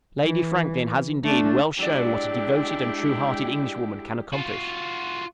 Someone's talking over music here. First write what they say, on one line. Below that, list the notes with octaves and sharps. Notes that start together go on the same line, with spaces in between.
Lady Franklin has, indeed, well shown what a devoted and true-hearted English woman can accomplish.
E3
A3 D4
F#3 G#3 D4 E4 G4 D5
F4 F#4